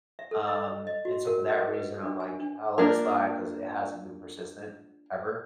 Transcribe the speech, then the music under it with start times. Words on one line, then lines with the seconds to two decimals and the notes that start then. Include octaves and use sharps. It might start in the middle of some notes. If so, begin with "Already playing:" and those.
Um, and so for that reason, I'm like, "I'll let it slide," 'cause it hasn't been persistent ever.
0.19 E5
0.31 A4
0.48 D#5
0.87 D#5
1.05 F#4
1.27 A#4
1.48 D#5
1.73 B4
2.03 D4
2.20 G#5
2.39 D4
2.78 A#3 D4 F4 A#4